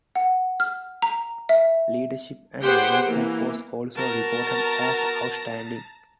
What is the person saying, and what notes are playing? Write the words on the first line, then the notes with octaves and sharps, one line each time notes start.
Leadership and management was also reported as 'Outstanding'.
F#5
F6
A#5
E5
G4 G#4 B4 C5 F#5 G5
E3 A#3
B3 F#4 A#4 A5 A#5